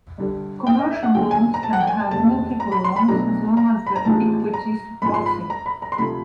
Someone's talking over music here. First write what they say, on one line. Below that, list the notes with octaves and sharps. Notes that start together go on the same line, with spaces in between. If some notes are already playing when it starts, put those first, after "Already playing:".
Commercial loans can have multiple loans as long as the equity supports it.
G2 D3 G3
G5
D#5
E5
F#5
D#2 D3 F#3 G5
G#5
A#5
A5
F#5
G5
G#5
A5
F1 D#2 C#3 A5
A#5
B5
C6
B5
B1 B2 F#3 A3 D4 A#5
A#5
B5
A#5
A1 A2 F3 G#3 A5
A#5
G#1 G#2 F3 B5
C6
B5
A#5
B5
A#5
C6
D2 C3 F3 A3 B5